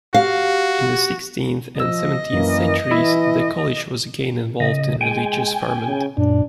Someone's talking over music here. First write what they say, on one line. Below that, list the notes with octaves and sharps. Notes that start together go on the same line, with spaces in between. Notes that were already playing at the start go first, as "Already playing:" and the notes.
In the sixteenth and seventeenth centuries, the college was again involved in religious ferment.
F#4 G4 F5
F3 D#5 E6
F#2 E3 A#3
E3 E4 E5
C#3 D#5
G#3 G5 G#5
C#3
F#2 A#2 D4